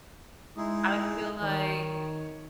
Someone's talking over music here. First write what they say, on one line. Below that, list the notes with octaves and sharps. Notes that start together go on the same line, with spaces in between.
I feel like
G#3 D#4 E4 G#4
D#3 C#5